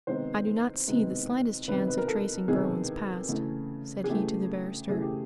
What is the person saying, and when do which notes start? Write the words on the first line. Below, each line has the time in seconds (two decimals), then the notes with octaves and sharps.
"I do not see the slightest chance of tracing Berwin's past," said he to the barrister.
0.07 C3 D#3 G#3 B3 C5
0.88 C3 D#3 G#3 B3
1.68 C3 D#3 G#3 B3 B4
1.87 B4
1.98 A#4
2.08 A4
2.48 C3 D#3 G#3 B3 G#4
3.29 C#3 E3 A3
4.04 G#4
4.09 C#3 E3 A3 G4
4.89 C#3 E3 A3 G#4
5.02 G4